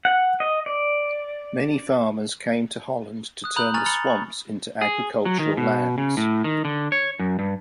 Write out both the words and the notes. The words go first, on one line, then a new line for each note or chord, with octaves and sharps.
Many farmers came to Holland to turn the swamps into agricultural lands.
F#5
D#5
D5
D#6 F#6
A#5 B5 D#6 F#6 G6 F#7
G#5 A#5 C#6 F6 A6 F7
B5 A6 C#7 F7 G7
B5 C#6
G#4
F#3
D#3
B2
C#3
A2
D#3
D3
C#5
F#2
G2